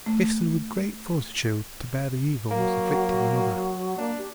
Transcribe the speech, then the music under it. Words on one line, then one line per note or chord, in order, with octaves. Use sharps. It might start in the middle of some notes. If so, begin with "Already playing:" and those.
Gifted with great fortitude to bear the evils afflicting another.
A3
F#3 A#3
A#3 D4
G4